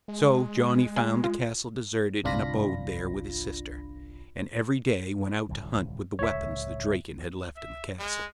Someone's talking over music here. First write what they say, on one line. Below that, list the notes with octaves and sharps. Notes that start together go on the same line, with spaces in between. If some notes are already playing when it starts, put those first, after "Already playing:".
So Janni found the castle deserted, and abode there with his sister, and every day went out to hunt with the weapons the Draken had left in the castle.
G#3
G#4
F4
G1 C2 D4 F4 B5 A#6
D1 C2 D#3
D1 C#2 C#3 C#5 E5
E5
G#3